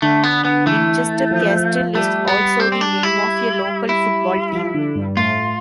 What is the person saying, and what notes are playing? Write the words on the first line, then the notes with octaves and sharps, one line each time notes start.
Winchester Castle is also the name of a local football team.
D3 A3 D4
B3
B3
E3 A3 E4
F3 F4
G3 A3 G4
B3
G3 C4 G4
C4
D4
E4
E4
F3 F4
D3 D4
G2 G3
A2 A3 F4